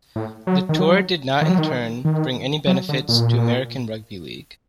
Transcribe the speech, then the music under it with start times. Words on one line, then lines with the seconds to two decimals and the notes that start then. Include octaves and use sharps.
The tour did not in turn bring any benefits to American rugby league.
0.16 A2
0.47 F#3
0.69 D#3
0.79 F#3
1.41 D#3
1.49 F#3
1.58 D#3
2.05 D#3
2.67 F#3
2.89 D3
3.09 A#2